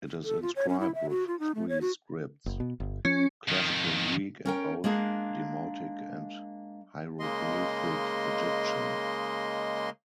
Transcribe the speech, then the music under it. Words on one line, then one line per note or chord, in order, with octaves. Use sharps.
It is inscribed with three scripts: classical Greek and both Demotic and hieroglyphic Egyptian.
A4
F4
C#5
C#4
E4
E5
F#4
F4
D#4
A3
C#5
F#4
F#1
B2
G1
F3 C#4
F2 D#3
C#4 A#4 G5
G#3 A#3 D4 G#4
C#3 G#3 A#3 D#5 C6